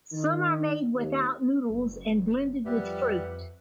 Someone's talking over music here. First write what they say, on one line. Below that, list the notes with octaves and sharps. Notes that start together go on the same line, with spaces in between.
Some are made without noodles and blended with fruit.
D#3
D#2
F#1
F2 G3 G4 B4 E5 F#5
F2